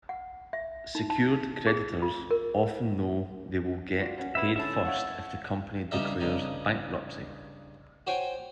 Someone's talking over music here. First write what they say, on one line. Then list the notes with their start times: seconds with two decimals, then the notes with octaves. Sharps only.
Secured creditors often know they will get paid first if the company declares bankruptcy.
0.09 F#5
0.53 E5
0.95 D#4
1.10 A5
1.67 G#4
2.02 F4
2.31 A#4
3.99 F4 F#4 D5
4.18 C#4 F#5
4.35 E4 B4 E5
4.56 D3 C#4 E4 E5 A5
4.85 C#5 F5 F#5
5.91 G2 C#3 G3 D#4 D#5 E5
6.20 G2 C#3 D#4
8.07 F#4 C5 C#5 G5 G#5